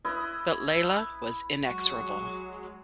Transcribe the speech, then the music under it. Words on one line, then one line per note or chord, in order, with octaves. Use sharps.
But Layla was inexorable.
E4 B4 D#5
F#3 G#3 F#4